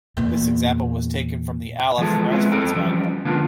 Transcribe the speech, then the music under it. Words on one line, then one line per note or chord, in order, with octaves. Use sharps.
This example was taken from the Alef reference manual.
E2 A#2
E3 F3 G#3 B3 G#4 A4
G#3 B3 C4 E4
F2 C4 A4 G5
E3 F3 G3 C#4
D3 A#3 B3 D4 D#4 F4